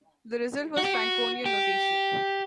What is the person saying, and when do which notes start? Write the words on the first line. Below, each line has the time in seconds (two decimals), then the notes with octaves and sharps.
The result was Franconian notation.
0.77 F#4
0.84 G4
0.94 F#4
1.46 G4